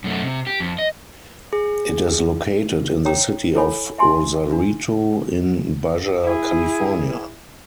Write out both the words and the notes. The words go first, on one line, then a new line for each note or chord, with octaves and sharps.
It is located in the city of Rosarito in Baja California.
F#2 A3
C3
G4
F2
D#5
G#4
C#5 G5 A#5 D#6
E4 A4 C#5 G#5 B5
E5 G#5 C6
D4
E4 G#4